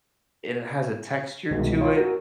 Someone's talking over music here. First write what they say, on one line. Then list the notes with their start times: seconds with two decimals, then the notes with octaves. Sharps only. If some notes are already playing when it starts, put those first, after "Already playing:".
it has a texture to it
1.51 C2 B2 D#3 G#3
1.81 F4 C#5
1.96 F#4 A#4